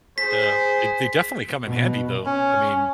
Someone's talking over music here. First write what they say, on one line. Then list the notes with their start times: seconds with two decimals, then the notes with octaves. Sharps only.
Uh, they they definitely come in handy though, I mean,
0.18 G#4 C5 B6
1.66 B2
2.26 C#4